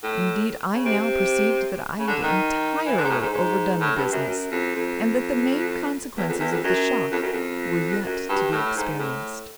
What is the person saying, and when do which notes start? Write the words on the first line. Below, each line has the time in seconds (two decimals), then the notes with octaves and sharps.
Indeed, I now perceived that I had entirely overdone the business, and that the main consequences of the shock were yet to be experienced.
0.03 A2
0.73 C#3
0.85 C3
0.97 C3
1.99 C#3
2.07 D3
2.23 D#3
2.85 E3
2.98 D3
3.04 G#2
3.09 A2
3.21 G#2
3.33 G#2
3.80 A2
3.96 G2
4.12 F#2
4.28 F#2
4.51 F2
4.75 F2
6.17 E2
6.28 F2
6.40 E2
6.51 F2
6.64 F#2
7.11 F2
7.22 F#2
7.33 F2
8.05 F#2
8.29 G2
8.52 A2
8.76 G#2
8.99 A2